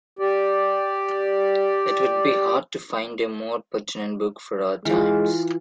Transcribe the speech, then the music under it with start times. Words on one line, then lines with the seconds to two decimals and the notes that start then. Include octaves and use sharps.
It would be hard to find a more pertinent book for our times.
0.19 G4 D5
4.85 E3 G#3 F4